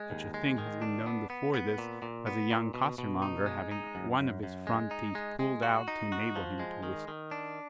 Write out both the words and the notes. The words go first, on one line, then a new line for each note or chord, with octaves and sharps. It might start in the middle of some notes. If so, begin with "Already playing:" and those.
Such a thing has been known before this, as a young costermonger having one of his front teeth pulled out to enable him to whistle well.
Already playing: G#3
D#2
G#3
D#3
D4
B3
B3
B3
A#2
A#2
B3
A#2
B2
B2
D#4
G#3
D#4
F#2
F#2
F#2
G#3
D#4
G#3
G#3
F#4
D#4
F#4
F3
G#3
D#3
D#3
D4